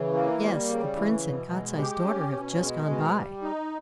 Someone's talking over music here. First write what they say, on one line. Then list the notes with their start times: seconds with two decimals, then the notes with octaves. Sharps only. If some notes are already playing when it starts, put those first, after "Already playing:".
'Yes, the prince and Kostiei's daughter have just gone by.
Already playing: C#3 E3
0.14 A#3
0.41 G3
0.69 C#3
0.96 E3
1.24 B2
1.51 G#3
1.78 G4
2.06 C#4
2.33 B2
2.60 G#3
2.87 B2
3.16 G3
3.42 D#4